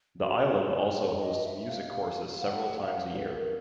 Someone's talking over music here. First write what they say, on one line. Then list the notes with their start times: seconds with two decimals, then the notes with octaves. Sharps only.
The island also hosts music courses several times a year.
0.22 F#4
0.47 B4
0.71 C5
0.95 C#5
1.20 D#5
1.44 E5
1.69 F5
2.42 F#5
2.78 F5
3.16 B4
3.34 A#4